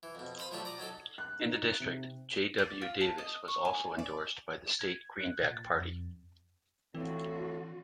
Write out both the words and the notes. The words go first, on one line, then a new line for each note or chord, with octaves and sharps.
In the District, J. W. Davis was also endorsed by the state Greenback Party.
E3
F2 B2
C5 F5 B5 C6 D#6
F3 F#3 A3 D4 F4 G4
D5 A#5 D6 D#6
F#3 C#4 D#4 A4
F#6
D#4
C3
D5
F4
A5
D#5
C#6
G#5
D5
G#6
F#6
A#2
A6
F2
A2 D3 E3 C4 F4 F#4